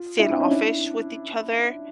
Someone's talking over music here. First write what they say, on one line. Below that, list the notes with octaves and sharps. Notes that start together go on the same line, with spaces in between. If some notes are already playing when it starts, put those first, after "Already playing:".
standoffish with each other,
Already playing: F4
D4 E4
C4 D4
C#4 D#4
D4 E4